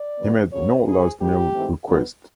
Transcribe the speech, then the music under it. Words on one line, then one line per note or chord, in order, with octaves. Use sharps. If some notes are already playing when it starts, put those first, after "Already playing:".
He made no last meal request.
Already playing: D5
G2 D3 F#3 B3
F2 C#3 F#3 A#3 C#5
F#2 C#3 F#3 G#4
G#2 D#3 G#3 G4
G#2 E3 A3 C4
F2 D3 G3 B3